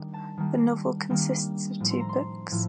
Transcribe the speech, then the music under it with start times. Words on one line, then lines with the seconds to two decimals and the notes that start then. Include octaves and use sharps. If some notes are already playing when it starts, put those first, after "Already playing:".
The novel consists of two books.
Already playing: D#3 G3 D4
0.14 A5
0.38 D#3 G3 A#3 D4
1.10 D#3 G3 A#3 D4
1.80 A2 F3 A3
1.91 C6
2.00 A#5
2.09 C6
2.51 A2 F3 A3